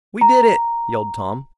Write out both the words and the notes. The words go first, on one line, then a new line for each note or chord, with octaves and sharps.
"We did it!" yelled Tom.
A#5